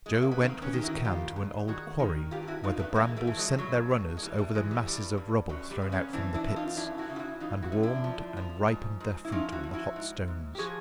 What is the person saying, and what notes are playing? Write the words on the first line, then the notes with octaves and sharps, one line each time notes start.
Joe went with his can to an old quarry where the brambles sent their runners over the masses of rubble thrown out from the pits, and warmed and ripened their fruit on the hot stones.
G#3
A3
A#3
B3
D#3 A#3 C4
B3 C#4
D#3 G4
E4 F#4
G2 F4 G4
G2
D#3 F#4 G#4
D#3
G2 F4 G4
E4 F#4
G2 D#4 F4
A3 B3
E3 G#3 A#3
G3 A3
E3 A3
F#3 G#3
G2 F#3
G2
G#3
E3 G3
G3 A3
E3 F#3 G#3
G3
G2 G3
G2
F#2 F#3
G3
C#3
B3 C#4
E3 C4 D4
D4 E4
F#2
D#4 F4
F4
F#2 D4 E4
E4 F#4
C#3
F4
E4 F#4
E3 D#4 F4
E4 F#4
F#2
D4 E4
F3
F3
G#2
G#2
E4
F3 C#4 D#4
E4 F#4
F3
E4 F#4
G#2
G#2
G4
F3 F#4 G#4